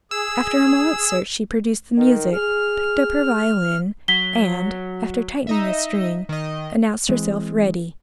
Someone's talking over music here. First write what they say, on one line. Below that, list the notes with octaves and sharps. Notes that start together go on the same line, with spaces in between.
After a moment's search she produced the music, picked up her violin, and, after tightening a string, announced herself ready.
G#4 E6
D#3
G#4 F6
F#3 B6 G7
D#4 D#5 E5
D#3 D#5
E3 G#3 C4